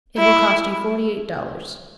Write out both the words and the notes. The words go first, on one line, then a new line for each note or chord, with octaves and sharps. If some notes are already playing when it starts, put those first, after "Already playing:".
It will cost you forty-eight dollars.
E4